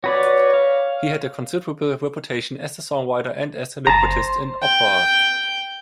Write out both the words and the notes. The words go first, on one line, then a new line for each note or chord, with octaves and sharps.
He had a considerable reputation as a songwriter and as a librettist in opera.
F#4 B4 C#5 D5
F5
F#1 A5 A#5
C5
G5